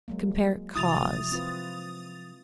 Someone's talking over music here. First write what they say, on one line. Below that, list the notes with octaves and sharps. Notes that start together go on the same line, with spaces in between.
Compare CAUSE.
F#3 G#3 A#3
C3 F3 E4 F#4 D#6 A6 F7
C4 F4 B4